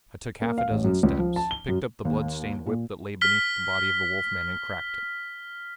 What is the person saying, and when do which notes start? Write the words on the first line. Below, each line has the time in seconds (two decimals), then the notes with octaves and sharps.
I took half-a-dozen steps, picked up the blood-stained whip that lay beneath the body of the Wolf-man, and cracked it.
0.42 A#3
0.58 F5
0.70 A1
0.84 F#2
1.03 C#2
1.19 F3
1.36 A5
1.51 G7
1.68 F#2
2.05 D#2
2.66 A#2
3.21 F6 B6 G7